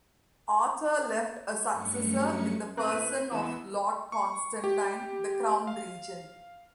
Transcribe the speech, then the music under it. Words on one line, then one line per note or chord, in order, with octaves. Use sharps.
Arthur left a successor in the person of Lord Constantine the Crown Regent.
G2 F#3 A3 C#4 C#7
A2 C4 B4 F#6
D#7
E2 E3 B3 E6
C#6
G4
F5